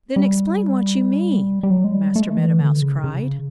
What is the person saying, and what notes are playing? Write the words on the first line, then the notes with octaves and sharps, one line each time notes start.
"Then explain what you mean!" Master Meadow Mouse cried.
G3
G3
F#3
G#3
G3
A3
G#3
A3
E3
D3
C#3
C#3